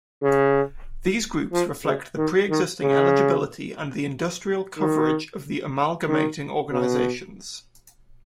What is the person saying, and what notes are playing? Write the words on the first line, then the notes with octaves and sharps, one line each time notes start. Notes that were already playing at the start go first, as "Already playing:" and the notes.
These groups reflect the pre-existing eligibility and industrial coverage of the amalgamating organisations.
C#3
F3
C#3
D#3
D#3
C#3
D#3
D#3
B2